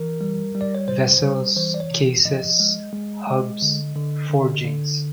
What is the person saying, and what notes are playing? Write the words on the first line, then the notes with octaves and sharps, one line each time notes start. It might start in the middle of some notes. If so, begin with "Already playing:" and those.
Vessels, cases, hubs, forgings.
Already playing: E3 A#4
G3
G3
D5
C#5
C3 C5
G3
E3 C5
D5
C#5
C3
F3 D#5
G#3
G#3
G#3
D3
D3
D3
D3